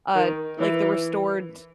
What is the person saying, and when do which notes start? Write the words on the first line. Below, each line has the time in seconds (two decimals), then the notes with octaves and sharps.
uh, like, the restored,
0.15 D#3
0.59 E3